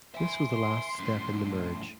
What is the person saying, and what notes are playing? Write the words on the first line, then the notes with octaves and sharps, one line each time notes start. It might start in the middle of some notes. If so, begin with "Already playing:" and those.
This was the last step in the merge.
E5 G#5 C6
F#2 A2